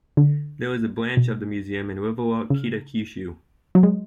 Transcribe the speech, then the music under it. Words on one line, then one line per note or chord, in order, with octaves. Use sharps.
There is a branch of the museum in Riverwalk Kitakyushu.
D3
B2
C#3
F#3
G#3